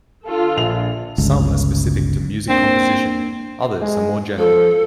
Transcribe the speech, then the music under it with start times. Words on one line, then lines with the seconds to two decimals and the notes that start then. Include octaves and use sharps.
Some are specific to music composition; others are more general.
0.25 D3 F4 A4
0.57 A#1 F7
1.18 G1 C#2
2.49 A#3 C4 D4
3.82 G#3
4.38 F3 A4